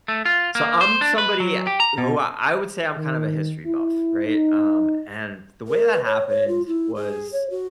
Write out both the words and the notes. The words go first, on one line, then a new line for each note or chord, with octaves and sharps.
so, I'm somebody who I would say I'm kind of a history buff, right, um, and the way that happened was-
A3
F4
A#3
C5
D4
B4
F#3
G4
A#5
B2
D#3
E4
D#4
A#4
B4
C#5
C#5
F4
E4
G#4
C#5
F#4